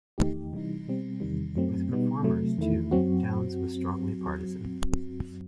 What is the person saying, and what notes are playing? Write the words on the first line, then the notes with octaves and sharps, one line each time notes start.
With performers, too, Downes was strongly partisan.
E2 D#3 A3 D#4 G4
C3 E3 G3 D#4
B2 G3 C4
E2 C3 D#3 G3
F#2 F#3 A3 C4
B2 G3 B3 D#4
C3 F#3 A3
E2 D#3 A3 E4
F#2 F#3 C4 F#4